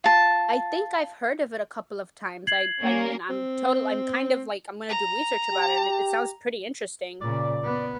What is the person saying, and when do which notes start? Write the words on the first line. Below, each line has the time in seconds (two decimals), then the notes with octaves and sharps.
I think I've heard of it a couple of times. I I mean, I'm total I'm kind of, like, I'm gonna do research about it, and it sounds pretty interesting.
0.04 F4 A5
2.47 G#6 C7 F#7
2.81 A#3 C#4 A#4
3.30 C4
4.89 A#5
5.52 G4
7.21 A#2 C#3 D5
7.64 B3